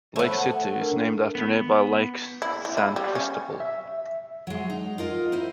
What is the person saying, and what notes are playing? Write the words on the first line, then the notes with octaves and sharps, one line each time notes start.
Lake City is named after nearby Lake San Cristobal.
A3 B3 C5 C#5
F#5 A5
D4 A#4
B3
E4
E3
E4
G3
C#4
E5
F#3 G#3
D#4
F4 A#4 D#5
D#4 E4 C5 E5